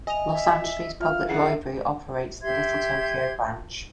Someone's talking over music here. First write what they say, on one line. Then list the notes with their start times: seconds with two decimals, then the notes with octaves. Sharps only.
Los Angeles Public Library operates the Little Tokyo Branch.
0.07 D#5 G#5 F7
0.32 E5
1.00 F4 E5 F5 F6
1.27 F#2 D3 E3 E4 G#4 F#5 C7
2.42 G4 E5 C6 G#6